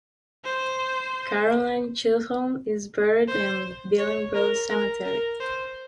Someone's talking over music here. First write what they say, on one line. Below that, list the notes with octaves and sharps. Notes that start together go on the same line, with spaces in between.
Caroline Chisholm is buried in Billing Road Cemetery.
C5
C5
C#5
A#4
A#4
A#4
C5